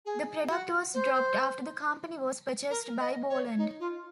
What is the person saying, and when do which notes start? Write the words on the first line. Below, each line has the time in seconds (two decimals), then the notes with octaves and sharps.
The product was dropped after the company was purchased by Borland.
0.05 G#4
0.49 F#4
0.93 C5
2.70 A#4
2.99 D#5
3.29 C#5
3.57 D#4
3.79 F4